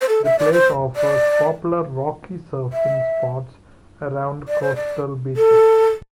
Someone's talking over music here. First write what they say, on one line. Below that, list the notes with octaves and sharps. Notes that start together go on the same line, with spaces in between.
The place offers popular rocky surfing spots around coastal beaches.
C5
A4
E5
D5
C5
D5
E5
D5
C5
D5
A4